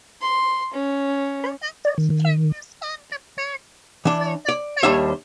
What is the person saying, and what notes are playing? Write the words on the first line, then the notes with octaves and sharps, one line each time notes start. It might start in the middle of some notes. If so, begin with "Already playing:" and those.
The doctor strikes him on the back, sides, and belly.
C6
C#4
D5
D#3
D#3
E3 D4
D5
D#2 G3 D4 C#5 E5